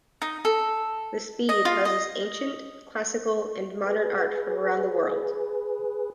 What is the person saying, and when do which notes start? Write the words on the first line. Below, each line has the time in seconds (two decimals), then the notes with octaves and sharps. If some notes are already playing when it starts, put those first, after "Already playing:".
The Speed houses ancient, classical, and modern art from around the world.
0.22 D#4
0.45 A4
1.49 D#5
1.65 F4
1.85 D#5
3.84 G#4 B4